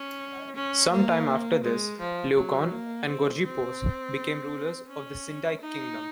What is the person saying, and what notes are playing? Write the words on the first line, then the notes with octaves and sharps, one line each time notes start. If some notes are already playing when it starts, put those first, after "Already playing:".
Sometime after this, Leukon and Gorgippos became rulers of the Sindike Kingdom.
Already playing: C#4
C#4
A#3
G#3
F3
F#3
A#3
C4
C4
C#4
D#4